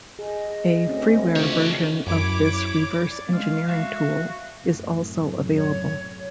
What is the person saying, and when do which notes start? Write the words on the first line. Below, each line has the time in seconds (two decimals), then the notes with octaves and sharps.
A freeware version of this reverse engineering tool is also available.
0.19 G#4 D#5
0.88 D2 C4 C#4
1.36 C#3 D4 F4 G4 C#5
2.07 F#2 E4 C#5 D6
3.10 D5
3.33 G#3 F5
3.68 F#4 E5 F5
4.62 F#2 A2 C3
5.57 C#5